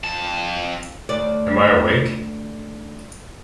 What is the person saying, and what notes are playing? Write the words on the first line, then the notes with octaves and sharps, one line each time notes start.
Am I Awake?
F2 A5
D2 D5